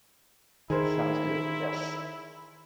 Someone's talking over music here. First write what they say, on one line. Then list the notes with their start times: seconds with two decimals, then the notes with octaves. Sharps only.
Sounds good, yes.
0.70 D#3 E4 G#4 A#4 C5